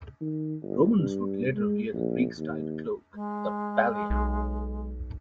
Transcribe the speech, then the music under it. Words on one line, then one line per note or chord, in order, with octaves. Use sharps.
Romans would later wear the Greek-styled cloak, the "pallium".
D#3
G1
G2
G#3
A#1
D#2
G#3
B1